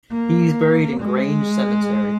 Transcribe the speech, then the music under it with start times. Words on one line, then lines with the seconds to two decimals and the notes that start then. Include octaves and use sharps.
He is buried in Grange Cemetery.
0.12 A#3
1.01 G#3